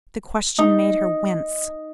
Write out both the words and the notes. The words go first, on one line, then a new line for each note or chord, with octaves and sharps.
The question made her wince.
D#4